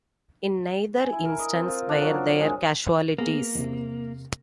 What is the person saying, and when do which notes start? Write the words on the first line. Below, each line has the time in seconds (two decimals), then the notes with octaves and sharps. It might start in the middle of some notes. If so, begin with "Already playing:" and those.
In neither instance were there casualties.
0.96 G#5
1.12 E4
1.25 A#4
1.39 D#5
1.53 C4
1.68 F4
1.89 D4
2.02 F#3
2.14 A#4
2.26 A#5
2.41 G#3
3.18 A#3 B3 G#4
3.55 E2 C3